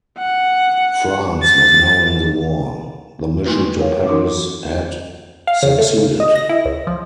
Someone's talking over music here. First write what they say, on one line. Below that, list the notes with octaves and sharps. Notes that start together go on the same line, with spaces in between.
France was now in the war; the mission to Paris had succeeded.
F#5
A6
A3 A#3 D#4 E4 F#4 B4
A#4 B4 C#5 F5
E3 D#4 F#4 A#4 D6
F5
C#3
A3
C#2
D#5
A#6
E4
C#2
F3